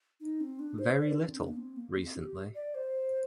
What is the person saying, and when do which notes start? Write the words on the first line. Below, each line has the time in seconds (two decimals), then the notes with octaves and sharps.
Very little, recently.
0.20 D#4
0.41 C4
0.59 D4
0.79 C5
0.99 D5
1.09 A#4
1.18 D4
1.28 C4
1.38 D4
1.48 A#3
1.57 C4
1.76 A#3
1.96 C4
2.16 G4
2.55 D5
2.75 C5